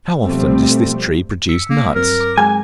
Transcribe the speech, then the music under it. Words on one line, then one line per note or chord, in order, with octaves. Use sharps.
How often does this tree produce nuts?
B2 F3 G3 A3 C4
E6 B6 C#7
A#3
G2 F#3 C4 A#4
A#5 D6
F#3 G#3 G#4 G#5